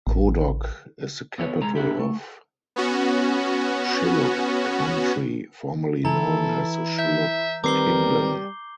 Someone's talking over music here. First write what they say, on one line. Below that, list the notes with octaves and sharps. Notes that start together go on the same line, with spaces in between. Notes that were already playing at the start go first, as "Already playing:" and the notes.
Kodok is the capital of Shilluk country, formally known as the Shilluk Kingdom.
A1
B3 A4 B4 C#5
C2 G#3 A#5
A#3 D4 E4 G4
A3
B3 C#4 F#4
E3 E4 A4 A#5
E5 G6
D#3 G3 C4 A#4 B4 D6 C7 G7